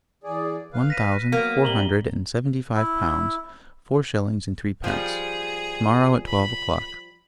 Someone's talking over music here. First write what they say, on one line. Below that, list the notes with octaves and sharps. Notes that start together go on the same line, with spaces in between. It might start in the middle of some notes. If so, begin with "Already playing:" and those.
One thousand, four hundred and seventy-five pounds, four shillings, and threepence, tomorrow at twelve o'clock.
E2 G#4 D5
B4 F5
A#6 B6 D#7
F#3 A#3 B3 D#7
C3 G3 A#5 F#7 G7
E4
F3 G3 G#4
B5